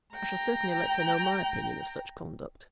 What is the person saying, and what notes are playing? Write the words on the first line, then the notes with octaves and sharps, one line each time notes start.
I shall certainly let her know my opinion of such conduct.'
G5 A#5